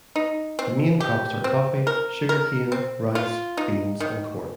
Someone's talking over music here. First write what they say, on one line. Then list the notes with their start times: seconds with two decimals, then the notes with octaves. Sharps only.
The main crops are coffee, sugarcane, rice, beans, and corn.
0.16 D#4
0.59 C4
1.00 G4
1.44 C4
1.87 A#4
2.29 A#4
2.72 C4
3.15 F4
3.57 D#4
4.00 D#3